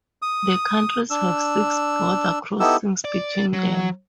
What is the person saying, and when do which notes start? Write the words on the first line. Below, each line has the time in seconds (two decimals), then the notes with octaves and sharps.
The countries have six border crossings between them.
0.22 D#6
1.10 D4 E6
2.60 B3 D#4 E4 G4 A4 E6
3.04 D5
3.53 F#3